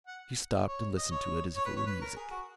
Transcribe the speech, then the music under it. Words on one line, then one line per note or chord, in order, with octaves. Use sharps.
She stopped, and listened to it as if it were music.
F#5
C#5
D#5
C#5
C#5
B4
C#5
B4
A#4
G#4
F#4